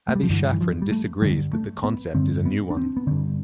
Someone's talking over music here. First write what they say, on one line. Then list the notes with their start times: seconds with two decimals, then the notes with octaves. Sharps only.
Avi Shafran disagrees that the concept is a new one.
0.08 A3
0.15 G3
0.23 F3
0.29 G2 D3 E3
0.52 E3
0.61 F3
0.82 G3
0.92 A3
1.22 G2 D3 G3
1.53 A3
1.84 B3
2.15 G2 D3 C4
2.45 B3
2.70 D4
2.77 C4
2.97 B3
3.07 D3 C4
3.11 G2